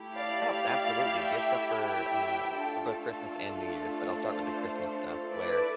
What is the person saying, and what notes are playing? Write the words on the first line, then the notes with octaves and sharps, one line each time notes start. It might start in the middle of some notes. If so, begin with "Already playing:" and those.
Oh, absolutely. We have stuff for, uh for both Christmas and New Year's, but I'll start with the Christmas stuff where,
Already playing: A3 E4 G4
D5 F5
D5 F5
E5 G5
E5 G5
A3 D4 F4 A4
C5
A3 E4 A4 B4 D5